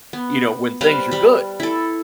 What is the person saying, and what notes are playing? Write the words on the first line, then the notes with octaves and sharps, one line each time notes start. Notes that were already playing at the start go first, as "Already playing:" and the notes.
you know, when things are good,
B3
G3 B4 C5 F5
G3 B5
E4 A4